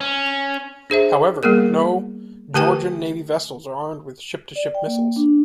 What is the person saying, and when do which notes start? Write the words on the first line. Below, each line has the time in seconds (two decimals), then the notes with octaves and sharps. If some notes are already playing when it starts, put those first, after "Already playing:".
However, no Georgian navy vessels are armed with ship-to-ship missiles.
0.01 C#4
0.90 D4 G#4 C5 E5
1.43 G3 A#3 B3 G#4 A#4
2.54 D3 A3 G4 B4 G5 G#5
4.56 D5
4.75 G5
4.87 A#3
5.16 D4